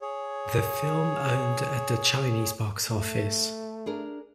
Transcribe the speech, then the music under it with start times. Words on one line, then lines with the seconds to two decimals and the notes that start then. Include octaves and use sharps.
The film earned at the Chinese box office.
0.02 G#4 C#5
2.88 A3
3.86 D4 G#4 A#4